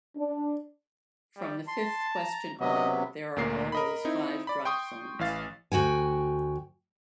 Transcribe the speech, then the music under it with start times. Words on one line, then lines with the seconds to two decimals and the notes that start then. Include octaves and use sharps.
From the fifth question onward, there are always five drop zones.
0.16 D4
1.37 G3
1.68 A5 C6
2.15 A#5
2.60 C3 F#3 B3 D#5
3.36 D2 A#2 A#3 A#4 C7
3.72 A#4 D#5 B5
4.05 C4 D#4 E4
4.47 D5 B5
4.65 G5 C6 C#6 D#6
5.19 A1 E3 F5 A6
5.72 D2 F#4 G5 G#5